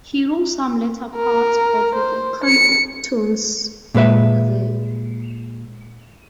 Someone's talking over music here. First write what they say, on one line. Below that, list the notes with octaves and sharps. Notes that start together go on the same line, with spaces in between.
He wrote some later parts of "The Cantos" there.
A#4
C5
C#7
A#2 G#3 B4 E5